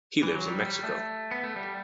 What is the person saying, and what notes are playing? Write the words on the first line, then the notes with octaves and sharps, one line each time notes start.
He lives in Mexico.
E3
F#3
G3
G3
A3
B3
A3
G3